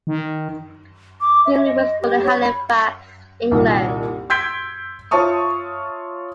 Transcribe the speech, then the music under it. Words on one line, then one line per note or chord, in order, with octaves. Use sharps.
Grimley was born in Halifax, England.
D#3
D6
E5
D#5
G4
C#5
B5
C2 A#2 D#3
C6 E6 G6 G#6 B6 D7
F4 C#5 E5 A5 C#6 D#6